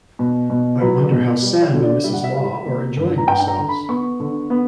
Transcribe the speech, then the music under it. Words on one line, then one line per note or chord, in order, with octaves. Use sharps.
I wonder how Sam and Mrs. Law are enjoying themselves.
B2
B2
F#3 B4
B2
G3
C#5
D3
D5
G3 E5
F#5
E5
G3
A#3
G2
A#5
G2 G5
G5
A#5
D3
B5
B3 C#6
D3
B3